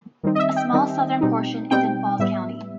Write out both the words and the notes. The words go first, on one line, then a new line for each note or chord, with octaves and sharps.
A small southern portion is in Falls County.
D#3 G3 C4 D#4
D#5
E5
G5
D#3 G3 C4 D#4
B2 G3 C4 D#4
B2 G3 C4 D#4 G5
A2 G3 B3 E5